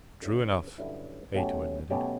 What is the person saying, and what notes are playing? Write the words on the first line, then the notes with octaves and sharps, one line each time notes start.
"True enough," Ato admitted.
G2 D3 F#3 C#4 E4
G2 D3 F#3 C#4 E4
B2 F#3 A3 C#4 G4
B2 F#3 A3 C#4 G4